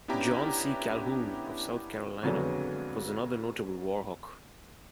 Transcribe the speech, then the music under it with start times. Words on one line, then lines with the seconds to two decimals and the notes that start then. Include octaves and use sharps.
John C. Calhoun of South Carolina was another notable War Hawk.
0.08 B3 C#4 D4 E4 G4 A#5
2.23 F2 D3 F#3 G#3 B3